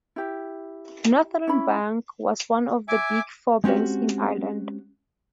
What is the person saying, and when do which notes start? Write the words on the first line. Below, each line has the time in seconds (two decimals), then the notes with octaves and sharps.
Northern Bank was one of the Big Four banks in Ireland.
0.16 E4 G4
1.47 C#4 E4 B5
2.88 E5 G#5 D6
3.64 G#3 C4 C#4 F#4 G4